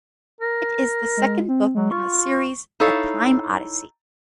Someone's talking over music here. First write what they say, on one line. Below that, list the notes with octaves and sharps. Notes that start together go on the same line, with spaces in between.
It is the second book in the series "A Time Odyssey".
A#4
G#3
C4
F#3 G#3
F4 C#6
D#4 E4 A4 C#5 F5